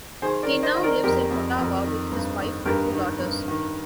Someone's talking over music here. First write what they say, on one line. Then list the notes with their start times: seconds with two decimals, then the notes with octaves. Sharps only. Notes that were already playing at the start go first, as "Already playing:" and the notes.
He now lives in Ottawa with his wife and two daughters.
0.22 D#3 G#4 C5
0.43 A#4 D5
0.49 D#3
0.63 C5 D#5
0.75 D#3 D#5
0.83 A#4 D5
1.04 F2 G4 A#4
1.30 F2
1.58 F2
1.85 D#3
2.12 G2
2.39 D#3
2.66 G2 G4 A#4
2.93 D#3
3.20 G2
3.48 D#3